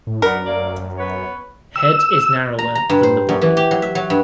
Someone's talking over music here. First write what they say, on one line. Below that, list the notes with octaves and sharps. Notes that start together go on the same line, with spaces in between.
Head is narrower than the body.
A2
F#2 B3 D4 A#4
A3 A#3 D5
B3 B4 C#5
E6
A#5
A#5
G2
C5
F#2
E3
G4
F#3
E5
F#3
G2